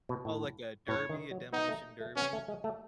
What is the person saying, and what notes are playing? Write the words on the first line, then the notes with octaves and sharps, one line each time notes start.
Oh, like a derby a demolition derby?
B2
A2
A2 C#5
D#3
F#3
B3 D#4
A3
A3
B3 C#4
A3
G#3
A3